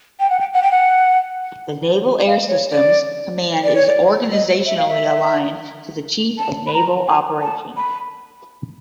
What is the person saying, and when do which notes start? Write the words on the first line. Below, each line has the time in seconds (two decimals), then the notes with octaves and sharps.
The Naval Air Systems Command is organizationally aligned to the Chief of Naval Operations.
0.19 G5
0.29 F#5
0.39 G5
0.53 F#5
0.62 G5
0.71 F#5
2.26 F5
2.48 C#5
2.71 D5
3.63 D5
3.75 C#5
3.87 D5
4.32 D#5
4.66 E5
4.76 F5
4.88 E5
6.38 A5
6.66 B5
6.73 A#5
7.07 G#5
7.41 A5
7.76 B5